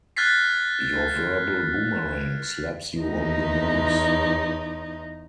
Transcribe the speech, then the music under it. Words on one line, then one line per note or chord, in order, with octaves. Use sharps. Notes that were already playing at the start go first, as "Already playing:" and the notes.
Your verbal boomerang slaps you on the nose.
F6 F#6 G#6 A6 B6 C7
E2 D#4